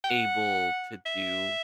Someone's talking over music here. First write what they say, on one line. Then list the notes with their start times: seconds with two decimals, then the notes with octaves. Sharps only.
able to do
0.04 G5
0.10 F#5
1.06 E5